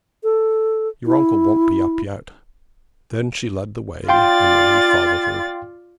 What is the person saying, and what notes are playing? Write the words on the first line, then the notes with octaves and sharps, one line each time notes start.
Your uncle won't be up yet.' Then she led the way, and Marie followed her.
A4
E4
F4 D5 F5 G5 C6 A6